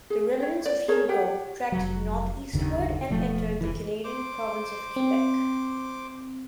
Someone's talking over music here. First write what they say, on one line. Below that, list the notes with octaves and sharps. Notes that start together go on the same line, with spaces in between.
The remnants of Hugo tracked northeastward and entered the Canadian province of Quebec.
G#4
C#5 G5
D5
G#4 A#4 C#5 A5
G4 C#5 F#5 G5
F1 F#3
F#1 D#2 D3 D#3
E1 F3 A3
F1 A#1 E3
C5 D6
C4